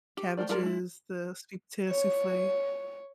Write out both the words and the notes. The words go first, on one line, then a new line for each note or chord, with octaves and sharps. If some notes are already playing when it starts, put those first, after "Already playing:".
cabbages, the sweet potato soufflé.
G4
A3 G4 A#4 C5 D5
G3 F4 G#4 A#4 A#5
G#3 E4
C#5